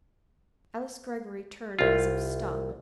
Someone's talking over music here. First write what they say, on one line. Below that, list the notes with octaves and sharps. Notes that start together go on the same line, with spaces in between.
Alice Greggory turned as if stung.
C2 F4